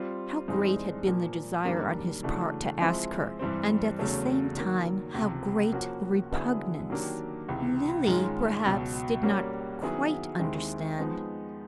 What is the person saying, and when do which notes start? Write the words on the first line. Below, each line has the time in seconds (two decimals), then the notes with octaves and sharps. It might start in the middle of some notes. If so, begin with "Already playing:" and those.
How great had been the desire on his part to ask her, and, at the same time, how great the repugnance, Lily, perhaps, did not quite understand.
Already playing: G3 C4 F4
0.48 G2 E3 G#3 C4 D#4
1.07 A#2 F3 A#3
1.65 F#2 D#3 G3 A#3 D4
2.23 C#3 E3 A3 D4 F#4
2.81 F3 G#3 C4 E4
3.39 G2 E3 G3 C4
3.99 E2 C#3 F#3 A3 C#4
4.56 D#3 F#3 A#3
5.14 C#2 C3 F3
5.73 F3 A#3 C#4 F#4
6.31 D3 F#3 B3 E4 G#4
6.90 D#3 F#3 A#3 D4 G4
7.48 C#2 C3 E3
8.07 G#2 D#3 G#3 C#4 F4
8.65 C#2 B2 F#3
9.22 G3 A#3 C#4 F#4
9.82 D#3 F#3 B3 E4 G#4
10.39 D#2 D#3 G#3 C4 E4
10.98 F3 G#3 B3 D#4